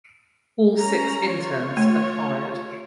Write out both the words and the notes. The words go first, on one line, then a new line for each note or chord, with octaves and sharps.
All six interns are fired.
C#4 A#5
F4 C#5
A3